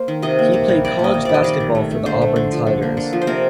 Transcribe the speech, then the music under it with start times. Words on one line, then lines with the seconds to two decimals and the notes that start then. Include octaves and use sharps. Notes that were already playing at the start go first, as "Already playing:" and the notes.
He played college basketball for the Auburn Tigers.
Already playing: A#3 C5
0.08 D#3
0.22 C3 D#5
0.39 A#3
0.54 C3
0.69 G3
0.85 C3 D5
0.99 A#3
1.04 D#5
1.14 C3
1.25 G3 D5
1.34 D#5
1.44 D#3 D5
1.60 D#3
1.75 A3
1.91 A3
2.06 D3 C5
2.22 A3
2.36 D3
2.52 F3
2.67 D3
2.82 A#3
2.97 D3
3.13 F3
3.22 C5
3.27 C3 A#4